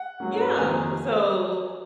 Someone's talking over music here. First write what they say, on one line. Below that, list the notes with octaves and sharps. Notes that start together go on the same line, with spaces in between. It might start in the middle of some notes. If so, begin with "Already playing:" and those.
Yeah. So
Already playing: F#5
G#2 F#3 A#3 C#4
F2 C3 D#3 A#3 G#5